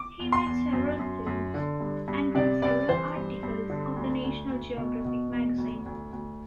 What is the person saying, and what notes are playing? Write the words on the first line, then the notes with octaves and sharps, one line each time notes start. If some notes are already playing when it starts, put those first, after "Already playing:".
He made several films, and wrote several articles for the National Geographic Magazine.
Already playing: D6
E2
C6
E2
F#2
F#2
F#2
D3
G2
G2
C3 D5
C2 D5
E3 C5
G2
G2
D3
D2
D2
D2
B2
B2
E2
D2
D2
D2